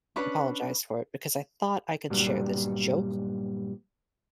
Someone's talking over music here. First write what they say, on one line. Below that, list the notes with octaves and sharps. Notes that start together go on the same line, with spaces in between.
apologized for it because I thought I could share this joke
C#4 D4 B4 B5
G2 A#2 F#3 G3